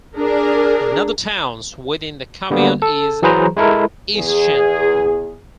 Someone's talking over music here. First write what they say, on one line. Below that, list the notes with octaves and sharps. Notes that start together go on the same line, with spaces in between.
Another towns within the commune is Eischen.
D4 G#4 A#4
D3 G3 A#3 B3
A4
E3 F#3 G#4 B4 C5 A#5
G#3 E4 A4 A#4
E2 G#4